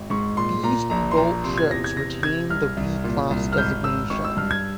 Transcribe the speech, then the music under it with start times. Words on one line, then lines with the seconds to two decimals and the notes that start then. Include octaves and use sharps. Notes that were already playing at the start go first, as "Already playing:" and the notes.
These rebuilt ships retained the V-class designation.
Already playing: G#1
0.10 G#2 C#6
0.37 A#2 C6
0.63 A#2 A#5
0.90 A#1 A#5
1.11 C6
1.17 A#2 A#5
1.44 C3 C6
1.58 G#6
1.70 E2 A#6
1.84 G#6
1.97 C3 A#6
2.23 C3 G#6
2.50 C2 F6
2.77 C2
3.04 A#2
3.31 C2
3.52 F6
3.57 G#1 G6
3.84 G#1 E6
4.10 G#1 C#6
4.24 E6
4.37 G2 F6
4.51 G#6